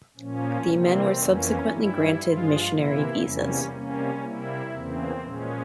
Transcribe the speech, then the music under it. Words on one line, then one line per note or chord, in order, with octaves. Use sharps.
The men were subsequently granted missionary visas.
A#2 F3 A#3 C#4
C3 E3 G3 A#3 C4
F2 E3 A#3 C#4
G2 E3 G3 E4
G2 F3 G#3 F4
C3 E3 A#3 E4
E2 C3 G3 A#3 C#4
C3 G3 A#3 C#4
C3 G3 A#3 E4
E2 C#3 E3 A#3 C4
A#2 F3 G#3 C#4